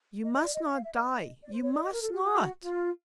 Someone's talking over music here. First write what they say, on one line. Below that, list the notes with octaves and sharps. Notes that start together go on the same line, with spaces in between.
"You must not die--you must not!"
D#5
D#5
D5
D#5
E5
F5
E5
D#5
D5
C5
C#5
D5
D#5
A#4
A4
G4
F#4
F4